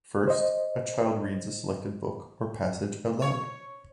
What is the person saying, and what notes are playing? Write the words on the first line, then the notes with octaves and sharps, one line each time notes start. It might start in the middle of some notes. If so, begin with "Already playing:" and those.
First, a child reads a selected book or passage aloud.
C5 D#5
C#5